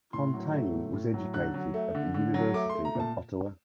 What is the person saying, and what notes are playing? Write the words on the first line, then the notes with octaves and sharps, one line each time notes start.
Fontaine was educated at the University of Ottawa.
A2 C6
F#3
A3
A2
A2
F#3
D3 F#6
F#3
A3
D3
D3
F#3
A3 D6
C6
A3
A#5
A#2 A5